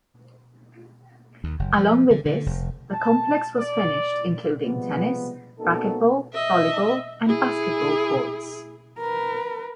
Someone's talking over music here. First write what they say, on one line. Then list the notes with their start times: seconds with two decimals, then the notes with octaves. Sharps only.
Along with this, the complex was finished including tennis, racquetball, volleyball, and basketball courts.
1.44 D#2
1.59 F#1
1.78 F3
2.10 D3
2.25 D3
2.46 F1
2.92 A5
3.56 D5
4.64 C3 F3 G3 G#3 B3
5.59 A#3 B3 C#4 D#4 F#4 A4
6.33 D#5 E5
7.24 E4 G#4
8.99 A#4 B4